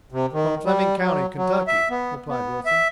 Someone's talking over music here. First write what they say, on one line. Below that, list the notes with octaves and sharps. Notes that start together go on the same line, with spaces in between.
"From Fleming County, Kentucky," replied Wilson.
C3
D#3
G3
F#3
F#3
E5
B3
B3
E5